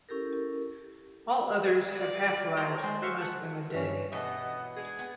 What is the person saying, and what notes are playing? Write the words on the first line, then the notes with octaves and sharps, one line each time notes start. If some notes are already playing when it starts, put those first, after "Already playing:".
All others have half-lives less than a day.
C#4 E4 G4 A4 A#4
D5
C5 C#5 G5 A5 A#5 C6
G#3 C5 C6
F#4 C5 E5 F5 C#6
A4 F#5
G2 C#4
B2 E3 B3 D#5 F#5
G#3 D4 G#4
B3